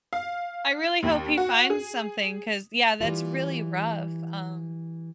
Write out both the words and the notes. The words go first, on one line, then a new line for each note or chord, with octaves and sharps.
I really hope he finds something, 'cause, yeah, that's really rough, um.
F5
D#2
F#4
G#4
E3 G3 F4